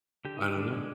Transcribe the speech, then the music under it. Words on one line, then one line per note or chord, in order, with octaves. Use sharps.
I don't know.
D3 G4
D#4
D3
D#4
D3 D4
G#3 D4